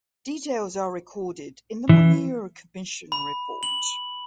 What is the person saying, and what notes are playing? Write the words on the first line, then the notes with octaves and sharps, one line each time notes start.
Details are recorded in the Munir Commission Report.
E3
B5
F#7